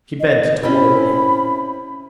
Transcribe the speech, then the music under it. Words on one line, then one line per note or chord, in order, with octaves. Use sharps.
She bent toward me.
D#5
C4 C#4 E4 B5